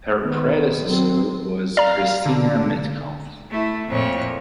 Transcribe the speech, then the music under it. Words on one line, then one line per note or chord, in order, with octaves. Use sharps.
Her predecessor was Christina Metcalf.
D#3 B3
F#3 C4
D5 F5 A#5
D3
A3 E4
F2 A#2 C#5